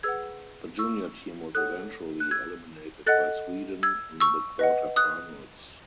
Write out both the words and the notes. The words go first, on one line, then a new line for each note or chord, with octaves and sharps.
The junior team was eventually eliminated by Sweden in the quarter finals.
G#4 B4 F#5 E6 G#6
C#6 E6
A4 C#5 F#5 D#6 F#6
F#6
E6 G#6
A4 D#5 F#5 F#6 A6
E6 G#6
C#6 E6
B4 D#5 F#5
D#6 F#6